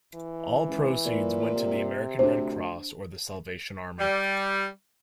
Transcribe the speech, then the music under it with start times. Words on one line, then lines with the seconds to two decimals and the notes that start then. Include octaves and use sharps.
All proceeds went to the American Red Cross or The Salvation Army.
0.15 E3
0.68 C#2
1.06 A#2
1.55 C3
2.19 D2 D4 C5
3.99 G3